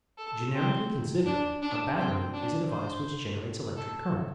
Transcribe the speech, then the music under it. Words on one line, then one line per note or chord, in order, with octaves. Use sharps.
GENERICALLY considered, a "battery" is a device which generates electric current.
A4
C4
D4
D4
C4
D4
C5
A4